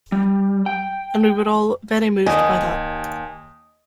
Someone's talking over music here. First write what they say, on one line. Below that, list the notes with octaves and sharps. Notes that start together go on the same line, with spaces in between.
And we were all very moved by that.
G3
G5
D#2 D#5 G#5